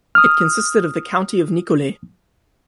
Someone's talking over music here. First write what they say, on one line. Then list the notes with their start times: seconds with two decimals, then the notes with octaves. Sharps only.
It consisted of the County of Nicolet.
0.15 D#6 F6